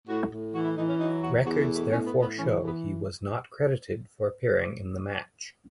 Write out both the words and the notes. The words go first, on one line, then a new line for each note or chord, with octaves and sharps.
Records therefore show he was not credited for appearing in the match.
A2 F#4
A2
E3 F#4
E4
E3 D#4
C#4
F#3 D#4
E2 F#4
E2 F#4
A3
B2
A3
A2 C#4
B3
A2
B3
E3 C#4
E3
B3